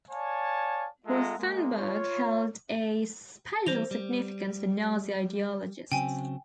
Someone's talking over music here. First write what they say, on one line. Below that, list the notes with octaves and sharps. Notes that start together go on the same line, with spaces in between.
Rothenburg held a special significance for Nazi ideologists.
C#5 D5 F5 G#5 A5
G#3 F4 A4 E5 F#5 A#5
G#3 A#3
F4 C#5
E3 G3 C5 A#6 F7
G3
C#3 F#3 C4 G5 G#5